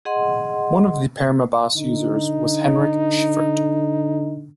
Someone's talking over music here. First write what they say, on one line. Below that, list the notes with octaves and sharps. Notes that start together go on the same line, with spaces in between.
One of the Permobas users was Henrik Schyffert.
G#4 D#5 F#5 C6
D3 D#4